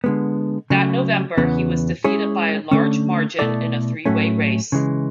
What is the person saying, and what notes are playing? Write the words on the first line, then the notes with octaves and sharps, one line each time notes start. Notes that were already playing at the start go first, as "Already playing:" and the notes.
That November, he was defeated by a large margin in a three-way race.
D3 G#3 B3
C#3 F#3 A3
E2 C#3 E3 B3
G#3 C#4 E4 G#4 C#5
D3 A3 C#4
B2 A3 E4 A4 D5
A2 F#3 A3 C#4
C#3 E3 G#3